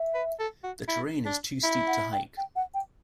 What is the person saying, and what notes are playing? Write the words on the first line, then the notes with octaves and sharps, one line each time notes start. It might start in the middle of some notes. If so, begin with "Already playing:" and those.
The terrain is too steep to hike.
Already playing: E5
B4
A4
F#4
E4
D4
E4
F#5
G5
G5
F#5
G5